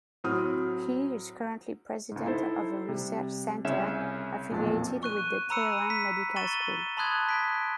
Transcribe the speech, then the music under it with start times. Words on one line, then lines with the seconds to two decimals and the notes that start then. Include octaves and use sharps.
He is currently president of a research center affiliated with the Tehran medical school.
0.24 A2 F#3 C4 D#6 F6
2.11 C#2 G#2
2.25 D#4 E4 A4 C5
2.89 C3 G3
3.65 C2 C#3 C#4 E5 E7
4.51 B1 F2 A#2 A5
5.03 C#6 F#6 D#7
5.50 A#5 B5 E6 C#7 D#7
5.90 B6
6.36 C#6 A6 D#7 E7 F#7 G7
6.97 A5 B5 C6 D#6 F#6 G#6
7.29 B6 D7